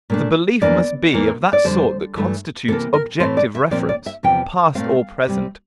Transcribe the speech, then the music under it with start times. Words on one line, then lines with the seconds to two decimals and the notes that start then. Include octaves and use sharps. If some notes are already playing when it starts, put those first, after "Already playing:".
The belief must be of that sort that constitutes objective reference, past or present.
0.10 A#2 A3 D4
0.62 E2 E3 A#3 D4 D5
1.13 E2 E3 A#3 D4
1.53 D5
1.64 F2 D3 G3 C5
2.16 G2 E3 A3
2.68 C3 E3 A#3 A4
2.94 A#4
3.20 A2 E3 A3 C4 C5
3.37 D5
3.55 E5
3.71 A#2 F3 C4 D5
3.89 D5
4.06 E5
4.23 E2 C3 F3 G5
4.75 A#2 A3 C4 F5
5.27 C3 G3 C4